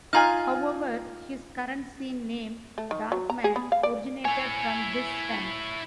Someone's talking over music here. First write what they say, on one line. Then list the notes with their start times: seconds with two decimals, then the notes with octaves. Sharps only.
However, his current scene name, Darkman, originated from this time.
0.13 D#4 F4 G#5 A#5 F6
2.78 A3
2.91 D#3
3.12 F#3
3.30 A#5
3.44 G#4
3.56 B3
3.72 F5
3.83 D5
4.25 E4 C#5 G#5